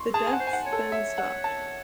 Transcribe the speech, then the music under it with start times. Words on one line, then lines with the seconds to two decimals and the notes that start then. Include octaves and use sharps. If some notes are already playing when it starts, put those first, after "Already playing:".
The deaths then stopped.
Already playing: C6 C#6
0.09 A4
0.13 G#4 A5
0.27 G#5
0.33 F#5
0.40 C5
0.47 G#5
0.53 F#5
0.66 C#5
0.73 A4
0.92 E5
1.18 F#5
1.44 A5